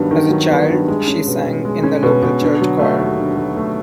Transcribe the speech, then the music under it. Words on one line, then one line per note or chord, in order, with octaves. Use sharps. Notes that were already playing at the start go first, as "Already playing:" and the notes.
As a child, she sang in the local church choir.
Already playing: G2 D#3 F#3 B3
D#3
F#3
B3
G2
G#3
C#4
B2
B2
G#3
C#4
B2
B2
D3
F#3
A3
D#2
D3
F#3
A3